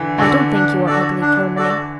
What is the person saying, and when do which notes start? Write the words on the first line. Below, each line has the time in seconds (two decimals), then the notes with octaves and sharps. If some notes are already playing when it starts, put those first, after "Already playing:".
"I don't think you are ugly, Kilmeny."
Already playing: D3 E3
0.18 D3 F#4 A4 D5
0.53 D4
0.87 F#4 A4 D5
1.22 D4
1.57 F#4 A4 D5